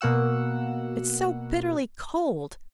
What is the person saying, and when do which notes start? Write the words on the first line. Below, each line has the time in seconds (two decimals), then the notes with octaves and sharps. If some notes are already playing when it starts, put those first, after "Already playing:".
It's so bitterly cold.
0.01 B2 A#3 F#4 F#5 E6